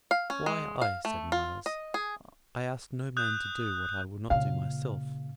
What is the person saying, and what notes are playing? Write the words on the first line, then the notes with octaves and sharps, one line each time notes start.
"Why, aye," said Myles; "I ask no man to do what I will not do myself."
F5
C#4
G#3
F5
A3
F4
D#5
G#4
D#6 F#6 G6
A#2 C#3 F5